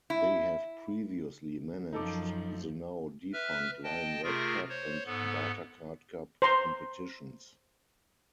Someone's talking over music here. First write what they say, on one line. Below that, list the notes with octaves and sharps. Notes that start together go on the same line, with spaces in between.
They have previously managed the now defunct Lion Red Cup and Bartercard Cup competitions.
E4
F#2 F3 D#4 A4 D6
B4 E5 F6
D#5 G5 A5
C3 A3 F4 G#4 A#4 A#6
C5 C#5
G#2 B3 A4
C5 A#5 C6